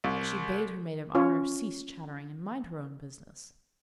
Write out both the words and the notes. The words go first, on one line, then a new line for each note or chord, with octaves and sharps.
But she bade her maid of honour cease chattering and mind her own business.
C2
C#4 F4 C#5